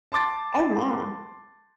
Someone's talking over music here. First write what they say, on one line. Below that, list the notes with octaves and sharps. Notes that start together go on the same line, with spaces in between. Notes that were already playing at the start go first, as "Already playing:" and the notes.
Oh, my.
A5 C6 D6 A6